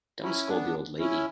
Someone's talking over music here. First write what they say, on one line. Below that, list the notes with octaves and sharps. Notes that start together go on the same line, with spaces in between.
Don't scold the old lady.
C#4 E4
B3 D4
C#4 E4